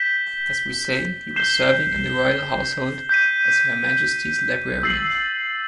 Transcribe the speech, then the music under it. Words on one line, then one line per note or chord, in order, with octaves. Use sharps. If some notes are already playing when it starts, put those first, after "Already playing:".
As we say, he was serving in the Royal Household as Her Majesty’s librarian.
Already playing: G6 B6 E7 G7
G6 C7 E7 G7
G6 B6 D#7
E6 A6 C7 F#7